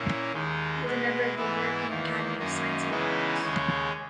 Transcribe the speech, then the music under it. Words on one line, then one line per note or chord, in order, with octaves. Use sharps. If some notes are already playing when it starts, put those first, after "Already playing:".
He is a member of the European Academy of Sciences and Arts.
Already playing: A#2 A#3 C#4 E4
D#2 D#3 G#3 D#4
B2 G#3 B3
G#2 E3 B3 E4
E2 D#3 A#3
F#2 D#3 A#3 C#4
C#3 E3 G#3 B3 D#4
D#2 C#3 G#3 C#4